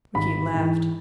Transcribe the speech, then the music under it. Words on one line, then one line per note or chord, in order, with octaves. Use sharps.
Rickie laughed.
G#1 B5
G#2 E3